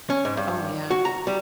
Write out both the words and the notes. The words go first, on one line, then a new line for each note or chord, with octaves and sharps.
Oh yeah.
C#4
G#2
G2
F#4
A#5
G3